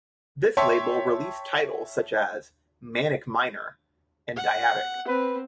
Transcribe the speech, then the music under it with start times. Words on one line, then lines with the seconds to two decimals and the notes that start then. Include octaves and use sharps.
This label released titles such as "Manic Miner" and "Dyadic".
0.57 C#5 E5 G5 A5 C6 C#6
4.37 F#5
5.08 C4 B4